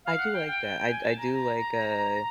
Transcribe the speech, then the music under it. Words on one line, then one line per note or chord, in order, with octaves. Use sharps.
I do like that, I I do like, uh,
F5
F#5
G5
G5
G#5
A5
A#5
A#5